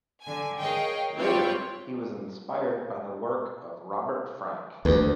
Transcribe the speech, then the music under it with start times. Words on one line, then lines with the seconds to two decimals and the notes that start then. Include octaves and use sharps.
Later he was inspired by the work of Robert Frank.
0.23 D3 G#5
0.59 G#4 A#4 C#5 D#5 F5 G5
1.16 C4 E4 F4 C#5 D5 G5
4.85 D2 B4